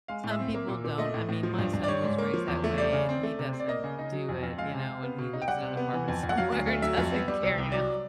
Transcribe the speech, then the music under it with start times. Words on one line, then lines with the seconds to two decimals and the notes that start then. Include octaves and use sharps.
some people don't. I mean, my son was raised that way and he doesn't do it, you know, and he lives in an apartment somewhere and doesn't care, you know,
0.08 G#3 F5
0.24 A2
0.31 E5
0.39 C4
0.54 A#3
0.68 A#2
0.84 A#2
0.98 A3 D#5
1.14 A2
1.29 A2
1.43 F3
1.59 G2
1.74 G2
1.84 D5
1.88 G3 C#5
2.04 G#2
2.18 A#3
2.34 F3
2.48 E2
2.64 A3
2.78 G3 D5
2.93 C#3
3.09 C4
3.23 A3
3.39 C3
3.53 C4
3.60 D5
3.68 A#3 D#5
3.84 C#3
3.99 D#4
4.12 F#3
4.29 F2
4.43 F2
4.58 G#3 F5
4.73 C3
4.88 C3
5.03 B3
5.18 B2
5.33 D#4
5.42 G5
5.48 G3 F#5
5.63 C3
5.77 B3
5.93 E3
6.08 F2
6.23 F2
6.29 F#5
6.38 F#3 F5
6.52 D2
6.67 A3
6.82 F#3 E5
6.97 F2
7.12 B3
7.28 G3
7.43 C2
7.58 C2
7.72 F#3 D5